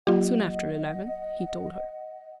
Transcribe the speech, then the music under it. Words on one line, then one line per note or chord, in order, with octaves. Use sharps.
"Soon after eleven," he told her.
F#3 A#3 F4 G4 D#5 F#5